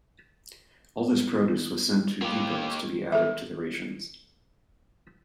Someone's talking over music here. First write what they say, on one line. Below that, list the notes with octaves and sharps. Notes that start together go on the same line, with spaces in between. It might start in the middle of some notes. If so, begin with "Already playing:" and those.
All this produce was sent to depots to be added to the rations.
A#3 G4
A4 E5